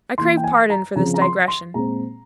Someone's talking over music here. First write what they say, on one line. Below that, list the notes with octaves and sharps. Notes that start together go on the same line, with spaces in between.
I crave pardon for this digression.
E3 A#3 C6
G5
G#5
A#5
C#3 F3 C4 A#5
A#5
C6
C6
A#2 G#3 C4 A#5